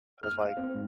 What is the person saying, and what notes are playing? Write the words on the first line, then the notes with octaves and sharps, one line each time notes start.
It was like,
F6
F5
C4
G#2